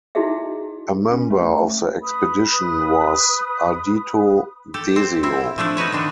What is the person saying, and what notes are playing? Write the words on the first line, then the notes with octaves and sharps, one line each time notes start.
A member of the expedition was Ardito Desio.
D#4 E4 F#4 G#4 D#5 E5
C#4
A3
B4 B5 D#6
G4 A4
C4
C4 E4
F3 A3 D4 E4
D#4 F#4 B4 C#5
D3 D#3 D4